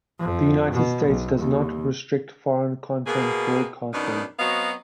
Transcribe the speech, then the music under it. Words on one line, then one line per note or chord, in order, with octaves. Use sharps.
The United States does not restrict foreign content broadcasting.
F2
B2
B1
D#2
B2 A#3 G#4
F#2 B2 D#3 D4 D#4
F#3 B3 C4 F#4 D#5 F5